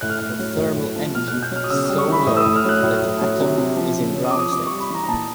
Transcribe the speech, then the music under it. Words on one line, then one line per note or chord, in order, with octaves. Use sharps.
The thermal energy is so low that the atom is in ground state.
A2 F#6
F6
A2 F#6
F#3
A2
A2
F3
B2 F6
F#6
B2
G6
F#3 F6
D#6
C#3 E6
G3 D#6
C#6
E3 B5
A2 D#6
E6
D#6
A2
F6
F#3 F#6
A2 F6
A2
F#3
C3
C3
F3
C#3
C#3
D#6
D6
F3
D#6
C3 D6
G3 C#6
B5
E3 A#5
A#5
A#2 A5